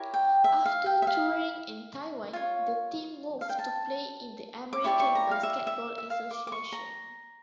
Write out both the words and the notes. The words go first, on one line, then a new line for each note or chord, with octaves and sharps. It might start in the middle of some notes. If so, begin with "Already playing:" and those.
After touring in Taiwan, the team moved to play in the American Basketball Association.
Already playing: E4 G4 A#4 C#5
G5
E5
F5
G5
E5
F5
F4 C#5
F5
G5
A5
D6
E4 G4 D5 C#6
C#6
A#5
F5
E5
E5
E5
F5
D6
D6
C#6
A#5